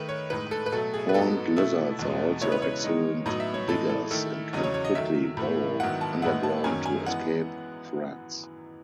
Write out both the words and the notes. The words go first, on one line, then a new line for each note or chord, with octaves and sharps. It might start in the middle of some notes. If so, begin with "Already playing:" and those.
Horned lizards are also excellent diggers, and can quickly burrow underground to escape threats.
Already playing: D#3 A3 D#4 B4
C#5
A2 G#3 D#4 B4
A4
B4
B2 F#3 A3 A4
G#4
B4
G#2 F#3 B3 D#4 A4
B2 A3 E4
E2 B2 G#3
C#3 E3 G#3 B3 E4 C#5
B4
C#5
D#3 G#3 D#4
A2 F#3 B3 D#4 D#5
E5
C#5
A2 E3 G#3 A4
A4
D#3 A3 E4 A4
E2 C#3 F#3 C#4 D#5
C#5
C#5
D#5
D#3 F#3 A3 E5
A2 E3 A3
G#2 D#3 F#3 B3 E4 F#5
A5
A2 G#3 B3 E4 F#5
A5
F#2 D#3 F#3 C#4 G#5
G#5
E3 G#3 B3 F#5